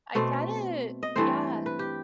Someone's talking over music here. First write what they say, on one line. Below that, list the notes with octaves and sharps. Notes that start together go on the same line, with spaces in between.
I get it. Yeah.
B2 A3 C4
D#5
G2 E3 A3 C4 C5
B4
G4